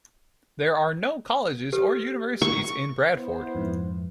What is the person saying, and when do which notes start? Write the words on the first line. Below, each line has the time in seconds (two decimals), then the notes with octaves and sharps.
There are no colleges or universities in Bradford.
1.73 G4 A4 B4
2.42 C#6
3.14 B3 E4 C5
3.55 F2 G#2